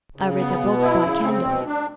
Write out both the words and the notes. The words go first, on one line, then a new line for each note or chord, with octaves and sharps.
I read a book by candle.
C#3
B3
B2
E4
C#3
C4
B2
D4